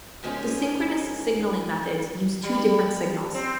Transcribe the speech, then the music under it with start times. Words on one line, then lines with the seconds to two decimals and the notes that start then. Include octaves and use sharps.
The synchronous signalling methods use two different signals.
0.23 G#2 D#3 F3 G#3 C#4 G4
2.43 G3
3.34 C4